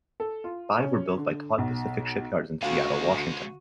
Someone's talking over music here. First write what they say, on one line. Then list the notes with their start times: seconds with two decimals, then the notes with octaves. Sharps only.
Five were built by Todd Pacific Shipyards in Seattle, Washington.
0.20 A4
0.44 F4
0.80 C#4
1.17 D3
1.58 B1
2.62 D2 C#3 G#3 F#4 F5